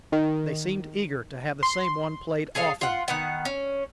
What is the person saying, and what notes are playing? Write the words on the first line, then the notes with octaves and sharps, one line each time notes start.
They seemed eager to have the same one played often.
D#3
C6
G#4 A4 C#5 F5
F4 F#5
D#3 B3 F#5
C#4